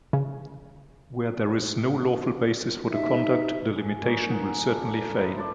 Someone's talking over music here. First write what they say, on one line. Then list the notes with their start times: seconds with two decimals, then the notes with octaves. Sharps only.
Where there is no lawful basis for the conduct the limitation will certainly fail.
0.13 C#3
2.92 D#4 G4 E5
3.76 G#5
4.03 A#2 C#4 D#4
4.29 G#4 F#5
4.67 G2 A4
5.17 E4 D#5
5.36 D5 A5 C6